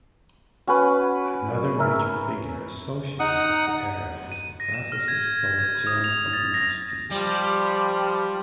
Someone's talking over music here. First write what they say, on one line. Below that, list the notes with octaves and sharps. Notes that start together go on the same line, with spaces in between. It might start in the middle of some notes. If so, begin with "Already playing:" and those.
Another major figure associated with the era is the classicist poet Jan Kochanowski.
C#4 F#4 B4
F#2
A#4 E5
D#4 F#5 D#6
D#7
A#6
E7
F6
G#6
G#6
G#6
D#6
F7
A6
A#6
F3 G3 G4